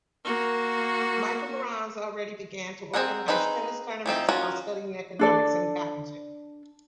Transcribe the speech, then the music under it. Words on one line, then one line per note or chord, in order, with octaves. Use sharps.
Michael Mronz already began to organise tennis tournaments while studying Economics in Gottingen.
A#3 F#4
C4 C#4 G#4 A#4 F#5
C4 D#4 G#4 B4
E3 F3 C4 D#4
C#4 F4 F#4 A#4
D4 A4 D5